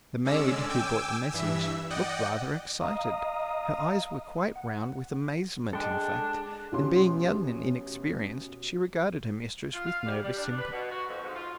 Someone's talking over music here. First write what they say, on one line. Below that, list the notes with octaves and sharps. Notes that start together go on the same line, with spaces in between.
The maid, who brought the message, looked rather excited; her eyes were quite round with amazement, in fact, and being young and inexperienced, she regarded her mistress with nervous sympathy.
D3 G#3 C#4 D5 E6
G5 G#5 D6 E6
G2 E3 E5 E6
D5 D#5 F#5 G5
D#5 F5 A#5 D#6
F#5
G#3 D4 A4 G5
A1 B2 C#4 G4 C6
F4
F5
G3
G3
D4
B4
B2
F#4
F2
G#2
F4